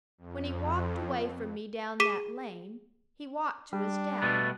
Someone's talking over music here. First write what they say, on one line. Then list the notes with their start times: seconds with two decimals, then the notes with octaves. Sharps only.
When he walked away from me down that lane, he walked to his death.
0.18 F2
2.00 G#4 D6 B6 D#7 E7
3.73 G3 D4
4.22 B2 A3 B3 A6